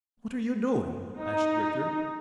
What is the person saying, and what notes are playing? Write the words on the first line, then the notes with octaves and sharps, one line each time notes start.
"What are you doing?" asked Richard.
D#4